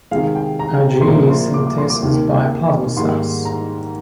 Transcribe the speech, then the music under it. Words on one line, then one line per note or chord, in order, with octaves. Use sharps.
IgE is synthesised by plasma cells.
C3 D#3 G#3 F5
G5
A#5
C6
C2 A#2 F3 A#3 A#5
C6
D6
D6
C6
D6
D#2 D#3 A#3
G#2 D#3 G3 A#3 C6
A#5